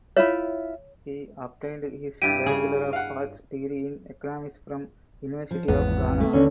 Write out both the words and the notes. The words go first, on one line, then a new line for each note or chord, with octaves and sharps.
He obtained his Bachelor of Arts degree in Economics from University of Ghana.
E4 F4 C#5 E5
G2 E4 G4 D7 D#7
C#3 G#4
F5 F#5
F3
G#1 E2 B3
A3
D#2 D3 C#4